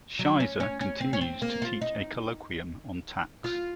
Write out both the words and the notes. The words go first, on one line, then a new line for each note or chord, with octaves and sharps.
Schizer continues to teach a colloquium on tax.
F#3
C#4
C#4
C#4
C4
C#4
C4
A#3
F4
D#4
F4